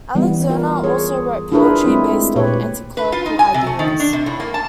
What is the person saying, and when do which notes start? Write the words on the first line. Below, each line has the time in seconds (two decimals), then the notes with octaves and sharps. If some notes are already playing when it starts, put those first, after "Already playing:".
Alxinger also wrote poetry based on anticlerical ideas.
0.15 E3 G3 B3
0.50 F4 A#4
0.83 G#4 C#5
1.52 D4 E4 F4 G#4 A#4 B4
1.85 G#3 A3 C4 E4
2.36 A#2 G4 B4 C#5
2.97 B4
3.12 F4
3.26 D#4
3.39 G#5
3.54 C3
3.67 A3
3.79 D#3
4.00 D4
4.13 C3
4.26 A2
4.40 A#3
4.54 A5